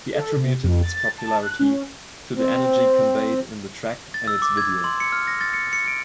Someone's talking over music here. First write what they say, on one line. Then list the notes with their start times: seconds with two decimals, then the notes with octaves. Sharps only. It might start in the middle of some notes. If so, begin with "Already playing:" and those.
He attributed its popularity to the energy conveyed in the track and its video.
0.14 A4
0.36 C3
0.63 F2
0.83 A6
1.18 A5
1.43 F#6
1.59 C#4
2.36 C4
4.14 A6
4.28 E6
4.42 D6
4.57 G#6
4.84 C6
5.00 C#7
5.12 F6
5.27 A#6
5.41 A6
5.54 C#7
5.73 C#7
5.88 D7